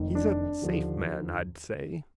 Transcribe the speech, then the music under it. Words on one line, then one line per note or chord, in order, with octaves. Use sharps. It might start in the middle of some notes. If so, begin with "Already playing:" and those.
He's a safe man, I'd say.
Already playing: F1 F2 D#3
D4
D#2 D3 F3